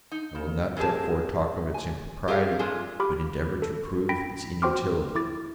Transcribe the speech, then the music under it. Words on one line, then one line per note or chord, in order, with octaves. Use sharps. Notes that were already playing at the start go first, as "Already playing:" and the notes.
I will not, therefore, talk of its impropriety, but endeavour to prove its inutility.
D#4
C#3
A#2 A#3 G4 G#4 A5
G#5
G4 G#4 A#4 F5
C3 G#3 F4 G#4 A4
G4 B5 D6 F6
A4
G5 B5 A#6 B6 D7
F#4 C5 G5 C6 D6 F6
E4 D6 A6